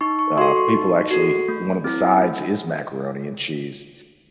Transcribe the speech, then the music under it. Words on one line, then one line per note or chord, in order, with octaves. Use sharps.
Uh, people actually one of the sides is macaroni and cheese.
D#4 C#6
C#6
F#4 A4 C6
C#6
D#4
F#4 A4
A3
C4 E4
A3